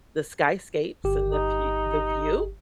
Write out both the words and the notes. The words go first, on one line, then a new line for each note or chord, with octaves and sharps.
the skyscapes and the fe the view.
G1 G4
D#4